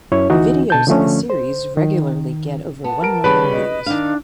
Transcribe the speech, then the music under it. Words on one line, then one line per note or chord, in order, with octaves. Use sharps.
The videos in the series regularly get over one million views.
F#2 C#4 E4 C#5
D2 E3 D#4 F#4
B2 A5 G6
D3 F3 A3 C#4
C5
D#3
B3 A5
A#4 D7
C#3 G3 B4 B5
D#5
D#3 D4 F5